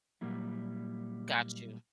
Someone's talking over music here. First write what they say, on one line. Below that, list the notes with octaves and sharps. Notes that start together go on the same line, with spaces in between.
Got you.
A#2 F#3 G3 A#3 E4